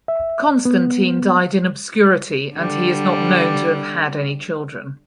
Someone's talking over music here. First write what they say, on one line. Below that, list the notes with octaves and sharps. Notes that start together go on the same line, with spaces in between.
Constantine died in obscurity and he is not known to have had any children.
E5
B3
D3 G3